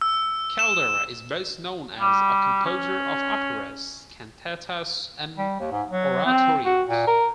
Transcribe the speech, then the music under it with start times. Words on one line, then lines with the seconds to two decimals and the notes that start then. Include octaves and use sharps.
Caldara is best known as a composer of operas, cantatas and oratorios.
0.01 E6
0.59 E7
2.01 G3
2.65 C#4
5.37 G3
5.60 D#2
5.71 G#2
5.89 F#3
6.25 C4
6.65 F#4
6.88 A#2
7.07 A#4